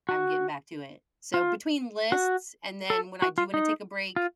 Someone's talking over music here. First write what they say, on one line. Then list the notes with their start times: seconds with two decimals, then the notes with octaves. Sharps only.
I'm getting back to it." So, between lists, and then when I do wanna take a break,
0.09 F#4
1.34 F4
2.12 F#4
2.90 A4
3.22 F#4
3.38 F4
3.54 D#4
4.16 F4